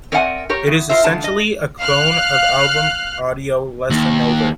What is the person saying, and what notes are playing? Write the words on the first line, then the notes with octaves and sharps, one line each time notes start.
It is essentially a clone of album Audio Lessonover?
C4 A#4 D5 E5 F#5 G#5
G4 A#4 C#5
E2
F4 A#4 C5 E5
G#2 D3 F4 A5
D#5
F5 F6 F#6
D#2